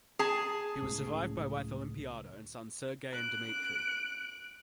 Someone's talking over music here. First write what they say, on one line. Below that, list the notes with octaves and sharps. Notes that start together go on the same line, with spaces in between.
He was survived by wife Olimpiada and sons Sergey and Dmitry.
G#4 A5
C#2 A2 C#4
F#6 D7